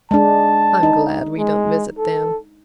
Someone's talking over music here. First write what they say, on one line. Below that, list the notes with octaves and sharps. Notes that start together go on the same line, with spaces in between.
I'm glad we don't visit them.
G#3 D4 A5
D#4
G#3
A4